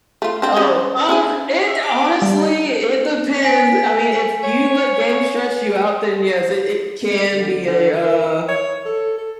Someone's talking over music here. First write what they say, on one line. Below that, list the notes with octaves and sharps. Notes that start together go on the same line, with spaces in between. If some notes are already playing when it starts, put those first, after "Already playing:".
Oh, um, it honestly it depends. I mean, if you let games stress you out, then, yes, it it can be a, uh
A3 F4
C4 D4
G3 G#3 C#4
C#4 D4 G#4
E5
D6
G3
G#5 B6
C#5
G#3
D3
D3
A#4
C#5
A4
A4